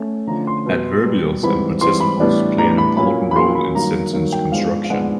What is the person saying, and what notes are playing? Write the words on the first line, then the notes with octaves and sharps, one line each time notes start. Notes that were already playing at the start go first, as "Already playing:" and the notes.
Adverbials and participles play an important role in sentence construction.
Already playing: A3 C#4
D3 F3 A3 C#4 A#5
C6
B2 G3 B3
B2 G3 B3
G#2 E3 G3 C4 B5
G#2 E3 G3 C4 C6
B5
A2 E3 G3 B3 D4
A2 E3 G3 B3 D4 A#5
B5
A#2 F#3 A#3 C#4 B5
B5
A#2 F#3 A#3 C#4 C6
B5
G2 D#3 F#3 A#3 A#5
G2 D#3 F#3 A#3
G5
G#2 F3 G#3 B3 D4 F5
F5
G#2 F3 G#3 B3 D4 F#5